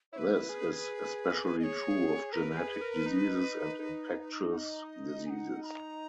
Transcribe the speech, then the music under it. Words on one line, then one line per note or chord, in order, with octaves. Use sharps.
This is especially true of genetic diseases and infectious diseases.
E4 B4 C#5
G#4
D#5
C#5
A#4 B4
G#4
A#4
D#4
D#4
D#4
F#5
D#5
G#5
F#5
B5
A#5